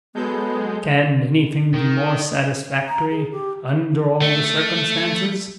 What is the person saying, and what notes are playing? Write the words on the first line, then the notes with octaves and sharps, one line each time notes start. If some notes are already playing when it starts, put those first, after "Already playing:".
Can anything be more satisfactory, under all the circumstances?
F#3 G#3 B3 A4 G6
D#3
A#5
G#4
G4
A3